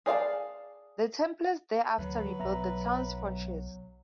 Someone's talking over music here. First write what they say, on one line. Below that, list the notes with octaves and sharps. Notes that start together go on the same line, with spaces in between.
The Templars thereafter rebuilt the town's fortress.
G#4 D5 F5 A5
D2 D3 F#3 B4
B1 B3 E5 A#5